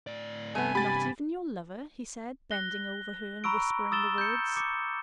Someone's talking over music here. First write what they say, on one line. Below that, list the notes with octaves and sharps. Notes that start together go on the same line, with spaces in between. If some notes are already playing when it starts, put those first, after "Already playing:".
"Not even your lover?" he said, bending over her and whispering the words.
A2 D5
G2 C3 A3 B3 G#5
G4 B5 A6
F#6 A#6 G7
A#5 B5 C#6 E6 D7
D#6 E6 A6 E7 G7
G6 C#7
D6 C#7